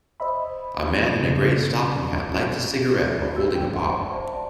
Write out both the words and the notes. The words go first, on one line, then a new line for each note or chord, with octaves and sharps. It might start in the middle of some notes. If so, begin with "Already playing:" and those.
A man in a gray stocking hat lights a cigarette while holding a pop.
C5 D#5 E5 B5
C#3
F#4 G4 E6
G5
E5 F#5 C6
C5 D5 E5 A5